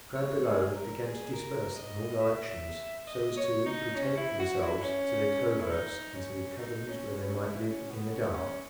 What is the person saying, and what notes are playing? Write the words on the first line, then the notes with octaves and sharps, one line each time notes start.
The crowd below began to disperse in all directions, so as to betake themselves to their coverts and to the caverns, where they might live in the dark.
C#5
G#4
A#4
G#4
A#4
D#5
E5
D#5
C#5
D#4
C#4
E4
F#4
E4
C#4
E4
D#4
C#4
D#4
C#4
C#4
E4
C#4
B3
C#4
C#4